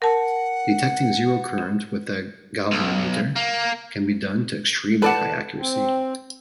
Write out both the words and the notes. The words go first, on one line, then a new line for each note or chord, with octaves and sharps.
Detecting zero current with a galvanometer can be done to extremely high accuracy.
A#4 F#5 A5
B1
A#3
A4 B4 D5 F#5 A5
C4